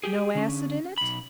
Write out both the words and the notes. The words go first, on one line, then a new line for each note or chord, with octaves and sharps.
"No acid in it?"
G4 G#4
D3 C#4
B1 B5